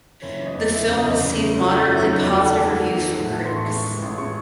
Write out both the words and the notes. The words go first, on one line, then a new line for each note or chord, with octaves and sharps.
The film received moderately positive reviews from critics.
F#1 C#5
E3
D#5
E2
F#1 E5
F#1
D#5
E2
C#3
A3
F#2
F#4
F#3 E4
F#2 F#4
F#3 D#4
E2
F#4
F#1 A4
G#4
D#3 A4
D#3 F#5
E2
D#3
A2 F#5
A5
E3
C6
A1 C#6
G#3
E3
A1
G#3 C#6